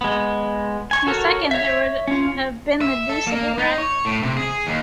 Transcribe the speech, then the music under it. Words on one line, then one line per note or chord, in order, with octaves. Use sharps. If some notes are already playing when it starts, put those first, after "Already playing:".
In a second there would have been the deuce of a wreck.
G#3 B3
G#5 C#6
F#4 A4 A#4 C#5
C#5 E5
C#4 F4
E5
A4
A#3
D#4
C#5
A2
C3
G#4
D#2